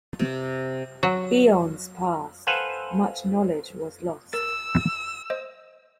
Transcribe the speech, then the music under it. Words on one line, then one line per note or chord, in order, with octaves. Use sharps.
Aeon's passed, much knowledge was lost.
C3
F#3
A4 B4 C5 F5 F#5 G#5
A#4 E6 A6
C5 D#5